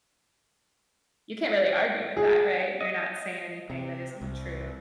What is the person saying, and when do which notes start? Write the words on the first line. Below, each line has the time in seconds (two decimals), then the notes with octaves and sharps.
you can't really argue with that, right? You're not saying anything that isn't true.
2.17 G#4
2.81 D#5
3.70 C3
4.21 C2